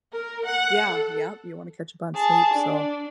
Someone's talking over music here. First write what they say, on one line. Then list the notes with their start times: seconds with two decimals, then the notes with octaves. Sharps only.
Yeah, yep, you want to catch up on sleep, so
0.13 A#4
0.46 F#5
0.90 A4
2.15 G#4 A5
2.54 D4